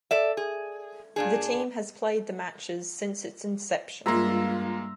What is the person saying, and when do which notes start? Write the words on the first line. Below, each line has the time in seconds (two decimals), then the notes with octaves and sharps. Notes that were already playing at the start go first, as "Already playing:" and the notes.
The team has played the matches since its inception.
0.11 A4 D5 E5
0.37 G#4
1.16 A#2 D4 G#4
4.06 G2 G#3 A#3 F4 E5 A#5 C6